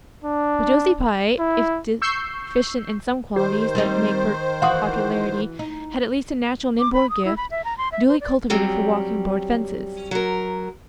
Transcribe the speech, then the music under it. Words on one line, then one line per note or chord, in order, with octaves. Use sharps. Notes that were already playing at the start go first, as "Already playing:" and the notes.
But Josie Pye, if deficient in some qualities that make for popularity, had at least a natural and inborn gift, duly cultivated, for walking board fences.
D4
E4
C#6 E6 G6 C7
D#3 G4 C5
G3 C4 D#4
E3 F#4 F5 C6 D#6
D#4
D6
B5
D#6
E4
B5
E5
A#5
C6
E5
C5
D5
F#3 G3 C4 C#4
F#3 A#4